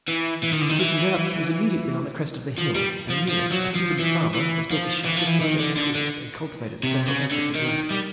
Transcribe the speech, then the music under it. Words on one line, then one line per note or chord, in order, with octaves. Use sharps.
The kitchen-garden is immediately on the crest of the hill, and near it a Cuban farmer has built a shack of mud and twigs and cultivated several acres of land.
E3
E3
D#3
D3
D#3
E3
F3
G3
F3
F3
F#3
F3
E3
E3
F3
E3
F3
E3
D#3
D3
D3
D3
C3
C#3
D3
D#3
G3